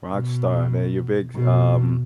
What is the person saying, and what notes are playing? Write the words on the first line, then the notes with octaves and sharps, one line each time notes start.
Rockstar, man, you're big, um
B2
B2